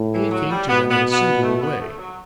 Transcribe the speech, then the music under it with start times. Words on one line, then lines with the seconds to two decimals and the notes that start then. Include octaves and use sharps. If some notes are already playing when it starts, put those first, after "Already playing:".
Aid came to them in a singular way.
Already playing: A2
0.13 E3
0.31 F#3
0.50 G3
0.68 B2 B3
0.89 B3
1.11 B3
1.42 A3
1.61 B3
1.80 A3
1.98 F#3